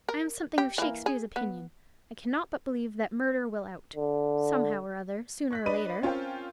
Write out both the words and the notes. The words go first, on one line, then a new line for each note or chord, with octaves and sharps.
I am something of Shakspeare's opinion; I cannot but believe that 'murder will out,' somehow or other, sooner or later.
A#4
G4
E3 A#3
G#4
B3
D3
C#6 F#6 B6
D4 B4 D#5 D#7
C4 C#4 F4 A#4 C5 G5